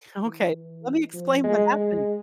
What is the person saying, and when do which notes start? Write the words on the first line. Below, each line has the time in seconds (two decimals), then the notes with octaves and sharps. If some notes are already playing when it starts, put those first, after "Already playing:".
Okay. Let me explain what happened.
0.25 E3
1.13 F3
1.43 G#3
1.73 G#3